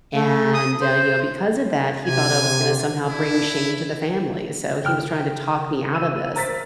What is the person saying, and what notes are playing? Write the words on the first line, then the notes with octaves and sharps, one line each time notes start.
and, uh, you know, because of that, he thought I was gonna somehow bring shame to the family, so he was trying to talk me out of this,
A3
D#6
C5
C3 G#5
D4 E4
C#3 G5 F6
E6 D#7
A#4 C5 A#5 A6 B6